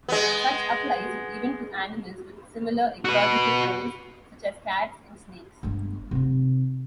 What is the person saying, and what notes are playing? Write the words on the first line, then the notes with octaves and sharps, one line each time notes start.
Such applies even to animals with similar ecological roles such as cats and snakes.
G#3 B3
F#4 B4
G1 G#3
C3 D#3